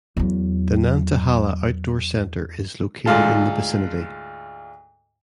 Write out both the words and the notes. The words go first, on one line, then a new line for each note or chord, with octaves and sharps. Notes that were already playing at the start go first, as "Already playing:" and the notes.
The Nantahala Outdoor Center is located in the vicinity.
E2 F#3
D2 G#2 F4 A4